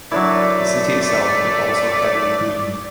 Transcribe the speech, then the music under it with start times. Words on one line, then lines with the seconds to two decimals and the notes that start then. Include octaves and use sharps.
The city itself is also heavily greened.
0.12 F#2 F#3 A3 D4 E4 D5